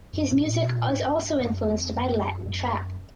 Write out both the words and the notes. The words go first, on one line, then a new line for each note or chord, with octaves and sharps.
His music is also influenced by Latin trap.
F#2
G2
G#2
A2
A#2
B2
A#2
G#2
G2
G2
F#2
E2
F2
F#2
G2
F#2